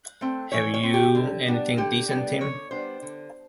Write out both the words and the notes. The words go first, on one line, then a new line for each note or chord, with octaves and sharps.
Have you anything decent, Tim?
A3 C4
E3 C#5
C#5
A3 C4
G4
D3
G3 B3 D4
D3 G4
G3 B3 D4
D3 C#5
G3 B3 D4 C5
D3